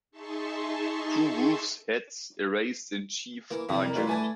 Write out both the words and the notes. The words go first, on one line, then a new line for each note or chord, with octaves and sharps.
Two Wolves heads erased in Chief Argent.
D#4 G#4 E5 A5 C6 C#6
E3 A#3
F2 C3 G3 E4
A#4
E3 G3 A3 F4
E3 A3 D4 B4 G#5 A5